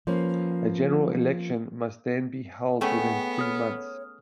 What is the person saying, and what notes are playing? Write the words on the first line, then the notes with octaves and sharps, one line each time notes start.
A general election must then be held within three months.
F3 A#3 C#4 B4
A3 B3 C#4 G#4 F#5 G5
C#5 D#6 F6